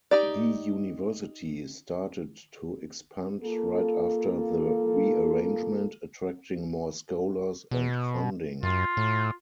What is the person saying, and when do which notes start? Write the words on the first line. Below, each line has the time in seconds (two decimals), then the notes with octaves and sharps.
The university started to expand right after the rearrangement, attracting more scholars and funding.
0.11 D#4 G4 D5
3.43 A#3 F4 A4
7.71 B2
8.63 F#2 F4
8.97 A2